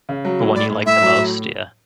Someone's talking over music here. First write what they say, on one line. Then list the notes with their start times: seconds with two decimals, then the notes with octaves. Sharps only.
The one you like the most, yeah.
0.09 C#3
0.25 F#3
0.40 A2
0.55 A2 D5
0.71 A2
0.86 A2 E5
1.02 F#3
1.17 A2